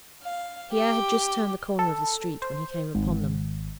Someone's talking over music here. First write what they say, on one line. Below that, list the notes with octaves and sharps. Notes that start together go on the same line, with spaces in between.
Pierre had just turned the corner of the street, when he came upon them.
F5
G4
A4
C5
G#1